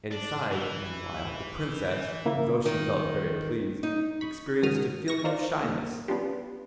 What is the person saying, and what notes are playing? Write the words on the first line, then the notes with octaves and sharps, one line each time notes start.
Inside, meanwhile, the Princess, though she felt very pleased, experienced a feeling of shyness.
D4
E3
C#3 A#3 E4
D#3
D#4
B5 C#6
G#2 D#3 F#4 D#6 F6
C#6 A#6
D#4 F4 A#4 C5 D5
D3 D#3 A#3
B3 C#4 D4 F4 G4